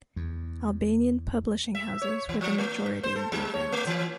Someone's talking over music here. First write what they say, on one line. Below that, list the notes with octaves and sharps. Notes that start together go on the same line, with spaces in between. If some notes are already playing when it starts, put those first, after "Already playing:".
Albanian publishing houses were the majority in the event.
E2
E5
C#5
E3
F3
A3
C5
A4
G3
C#5
A3
E3